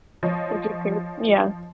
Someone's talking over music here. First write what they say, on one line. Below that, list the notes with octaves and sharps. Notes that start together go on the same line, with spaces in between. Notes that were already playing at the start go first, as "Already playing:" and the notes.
Would you agree with yeah.
F3 C#5 D#5